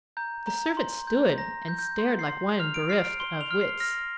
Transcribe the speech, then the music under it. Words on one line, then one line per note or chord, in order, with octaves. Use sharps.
The servant stood and stared like one bereft of wits.
A#5 G6
A#5
C6
G6
A#5 A#6
G6
G6
C6
C7
C6
F6 F7
D7
F6 C7
D7
C6 G7
F7
F6
C7
F6 A#6